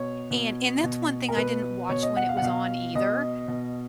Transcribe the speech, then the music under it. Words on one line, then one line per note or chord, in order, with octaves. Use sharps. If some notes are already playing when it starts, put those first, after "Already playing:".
and and that's one thing I didn't watch when it was on either,
Already playing: B2 C#5
B2
B2
A#4
B2 B4
B2 C#5
D#5
F#5
F5
F#5
B2 F5
B2 D#5
B2